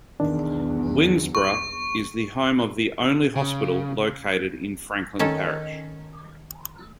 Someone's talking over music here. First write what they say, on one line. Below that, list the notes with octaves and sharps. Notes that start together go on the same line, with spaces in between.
Winnsboro is the home of the only hospital located in Franklin Parish.
B1 E2 D#3 D4
C#6
C#3
D#3 C#4 A4